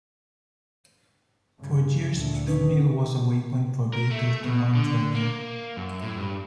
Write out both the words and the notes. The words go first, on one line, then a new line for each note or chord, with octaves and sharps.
For years Eatonville was a waypoint for visitors to Mount Rainier.
G2 C#3
D2 A#2
C#4 D#4 B4
A#4
A3
B2
D3
A#3
F#2
A2
G2